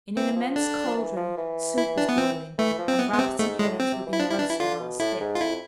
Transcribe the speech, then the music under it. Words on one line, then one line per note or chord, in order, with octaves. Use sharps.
In an immense caldron soup was boiling; and rabbits and hares were being roasted on a spit.
E3 C4
F3
D3 D4
F3
E3
F3
E3
E4
D4
B3
C4
E3 A3
F3
C4
E3 B3
B3
C3 C4
G#2 A3
A2 G#3
C4
C3
E3
E4
F3 D4
E4
E3 D4
E4
D3 F4
B2
A2 E4
G#2
F4
F2 E4